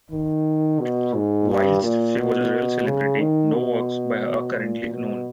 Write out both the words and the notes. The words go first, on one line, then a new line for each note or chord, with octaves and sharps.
Whilst she was a real celebrity, no works by her are currently known.
D#3
B2
G#2
G2
A#2
B2
C#3
D#3
B2
A#2
B2